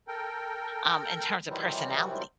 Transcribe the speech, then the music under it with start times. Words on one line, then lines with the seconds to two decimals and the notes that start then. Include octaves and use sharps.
um, in terms of personality.
0.08 A4 A#4 G5
1.48 C3 D#3 E3 F#3 G3 C4